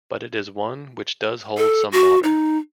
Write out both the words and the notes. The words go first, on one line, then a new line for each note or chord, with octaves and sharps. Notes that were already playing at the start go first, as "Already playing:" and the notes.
But it is one which does hold some water.
A4
F#4
D#4